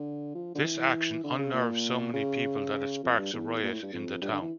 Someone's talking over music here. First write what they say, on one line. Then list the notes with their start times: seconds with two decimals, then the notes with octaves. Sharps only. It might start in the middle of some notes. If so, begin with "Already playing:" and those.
This action unnerves so many people that it sparks a riot in the town.
Already playing: D3
0.35 F3
0.55 D3
0.64 E3
0.79 E3
1.23 D3
1.39 C#3
1.54 A#2
2.13 C#3
2.72 C#3
3.03 F2
3.18 G2
3.33 E2
3.63 A#2
3.72 A2
3.82 G2
3.92 F2
4.21 G2
4.32 D3
4.42 E3